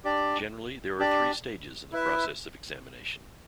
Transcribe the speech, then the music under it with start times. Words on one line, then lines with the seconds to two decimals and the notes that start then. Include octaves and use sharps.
Generally, there are three stages in the process of examination.
0.04 D4 G4 D5
0.99 D4 G4 D5
1.92 E4 B4 E5